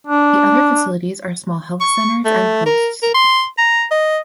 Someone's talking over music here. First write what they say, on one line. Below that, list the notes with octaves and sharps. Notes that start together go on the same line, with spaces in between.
The other facilities are small health centers and posts.
D4
C#6
A3
A#4
A#4
C6
A#5
D#5